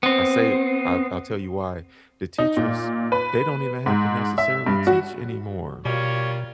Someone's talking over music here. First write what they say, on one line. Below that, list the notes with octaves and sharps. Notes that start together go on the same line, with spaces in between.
I say I'll I'll tell you why. The teachers, they don't even have to necessarily teach anymore.
B3 C4
D#4
A#2
B4
G#2
E5
G2
F#4
B2 G3 A#3 F4 C#5